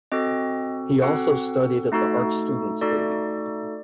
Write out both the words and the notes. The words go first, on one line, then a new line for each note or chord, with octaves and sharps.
He also studied at the Art Students League.
C4 F#4 A4 D#5
C4 F#4 A4 F#5
A3 D#4 F#4 A4
A3 D#4 F#4 A4 D5